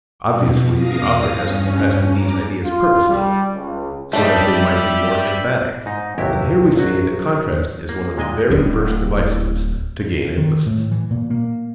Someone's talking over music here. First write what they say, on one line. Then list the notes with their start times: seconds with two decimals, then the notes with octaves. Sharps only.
Obviously, the author has contrasted these ideas purposely, so that they might be more emphatic, and here we see that contrast is one of the very first devices to gain emphasis.
0.22 B2
0.74 E2 F5 D#6 A#6
1.33 G2 C#4
2.10 A#5 D6
2.65 F4
3.09 G3
3.54 C#2
4.13 G3 A3 D4 D#4 G4 E5
5.86 G#2 D#4
6.18 A1 D#2 C3 F#3 E4 G4
6.77 A#1 F#3 F#4
7.89 A#3
8.17 A#2 G#3 D#5 G5
8.50 D1 E4
10.38 D#3
10.66 A2
10.91 E3
11.11 A#2
11.30 A#3